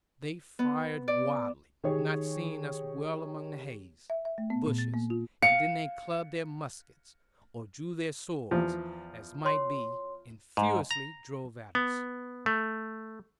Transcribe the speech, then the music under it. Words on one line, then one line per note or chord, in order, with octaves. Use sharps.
They fired wildly, not seeing us well among the hazel bushes; and then they clubbed their muskets, or drew their swords, as might be; and furiously drove at us.
B3
D5
D#3 G4 G#4 C#5
E5
E5
A3
B3
A#2
A6
A#3
F4
F5 C#7
E2 F3
C#5 C6
G#2
A#5
B3
A3